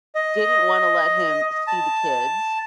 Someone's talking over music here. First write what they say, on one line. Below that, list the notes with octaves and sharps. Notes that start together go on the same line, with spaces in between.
didn't want to let him see the kids,
D#5
A5